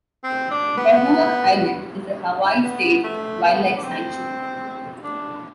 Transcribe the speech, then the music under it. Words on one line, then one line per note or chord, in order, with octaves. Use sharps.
Lehua Island is a Hawaii State Wildlife Sanctuary.
C4
D4
B3
B3
A3
B3
D4
C4
D4